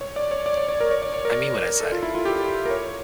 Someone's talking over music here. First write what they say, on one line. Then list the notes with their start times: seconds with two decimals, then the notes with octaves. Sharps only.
I mean what I say.
0.01 C#5
0.16 D5
0.31 C#5
0.46 D5
0.57 C#5
0.69 C#5
0.80 A#4
0.91 C#5
1.02 D5
1.14 C#5
1.25 A#4
1.80 A4
1.92 F4
2.03 E4
2.15 F4
2.25 G4
2.65 A#4
2.70 C#5